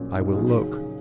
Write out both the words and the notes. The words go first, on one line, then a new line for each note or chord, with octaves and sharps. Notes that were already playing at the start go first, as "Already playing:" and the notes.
I will look.
Already playing: A#1 A#2 F#3 C#4
D#4
D#2 C#3 F#3 G#4